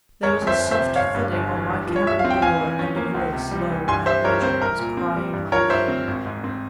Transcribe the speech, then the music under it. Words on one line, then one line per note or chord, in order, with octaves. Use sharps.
There was a soft thudding on my cabin door, and a voice, low and urgent, was crying my name.
G1 A#4 C#5
F2
C5 E5
G1
C5 E5
C3
G1 C#5 F5
G2
G1
E3
G2
F3
C#5
G2 E5
F5
C4
G5
E2 F5 G#5
E3
C#4
A#3
C#2
C3
G3
E3
G2 G#5 C6
G3 C5 E5
G2 A#4 C#5
C4 C5
C2 A#4
A#2
C4
G3
G2
F3 A#4 C#5
G2 C5 E5
C4
G#1
G#2
C4